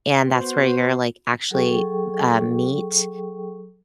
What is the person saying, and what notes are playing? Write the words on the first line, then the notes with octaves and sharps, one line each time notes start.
and that's where you're, like, actually, uh, meat,
B3 F#4 C5
F#3 G#4 A4 G5 C#6